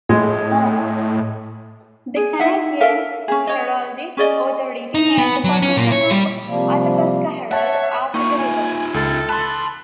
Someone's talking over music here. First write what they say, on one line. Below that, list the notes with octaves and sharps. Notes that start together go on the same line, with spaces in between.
The Canadian Heraldic Authority named the position of Athabaska Herald after the river.
A2 G#3
G#4
D#4 E4 E5 F#5
A4 A#4 E5 F5
C#4 G#4
C#5 D#5
C#4 G#4 D5 D#5
D#4
B3
F#3
C#4
A#2
C#5
G3
C3 F3 G3 A#3
C#5 E5 F#5 A5
A#3 D#4 F4 C#6
G#5
C#2 A4
A5 B5 C6 F#6